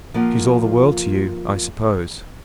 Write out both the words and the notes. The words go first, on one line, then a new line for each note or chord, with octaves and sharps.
"She's all the world to you, I suppose?"
F3 A#3 F4 F#5